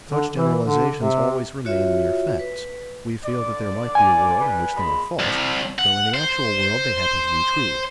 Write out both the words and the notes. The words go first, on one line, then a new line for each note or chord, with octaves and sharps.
Such generalizations always remain mere facts: we feel that there might be a world in which they were false, though in the actual world they happen to be true.
D3
E3
D3
C3
F4 F#4 C#5 E5
B4
D3 D5
G#5
G3 B4
A#2 G#3 B5
C2
F#5
C5